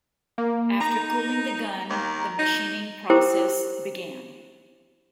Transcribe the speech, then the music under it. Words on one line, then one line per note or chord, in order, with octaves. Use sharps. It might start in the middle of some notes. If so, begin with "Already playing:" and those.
After cooling the gun the machining process began.
A#3
D#4 A#5
D#2
D#4
E4 G4 A#4 C5 G5 D6